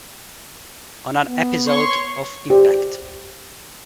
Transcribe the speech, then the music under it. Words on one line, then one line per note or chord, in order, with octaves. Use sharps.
On an episode of Impact!
B3
C#5 C6 C#6
G4 C5